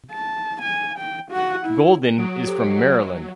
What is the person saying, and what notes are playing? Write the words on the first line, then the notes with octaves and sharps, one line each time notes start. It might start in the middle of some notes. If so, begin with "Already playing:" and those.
Golden is from Maryland.
A5
G#5
G5
F#4 F#5
E4
F#3 D#6 D7
G4 A4 C5
D#5 C#7 D7